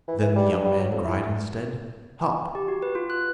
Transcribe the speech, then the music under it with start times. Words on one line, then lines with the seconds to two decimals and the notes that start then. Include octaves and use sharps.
Then the young man cried instead, 'Hop!
0.08 E3
0.23 E3
0.36 G3
0.52 G2
0.65 G3
0.79 F#3
0.92 F2
1.05 E4
2.55 G4
2.68 F#4
2.82 B4
2.95 F4
3.10 F#6